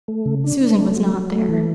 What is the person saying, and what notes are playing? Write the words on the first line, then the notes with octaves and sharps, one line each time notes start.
Susan was not there.
A3
C#3
D4
D4
A3
F#3
F#3
A3
E3